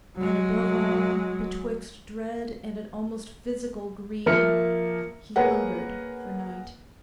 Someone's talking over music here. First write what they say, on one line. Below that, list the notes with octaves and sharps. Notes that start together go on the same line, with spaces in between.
And above all, betwixt dread and an almost physical greed, he hungered for night.
F#3 G#3
F3 A#3 E5 F6 C#7
A#3 G#4 A#4 B4 C#5 F#5